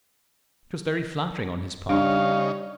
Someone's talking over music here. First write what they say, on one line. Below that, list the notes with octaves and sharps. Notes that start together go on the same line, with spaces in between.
It was very flattering on his part.
C#3 G3 D4 D#4 C#5 F5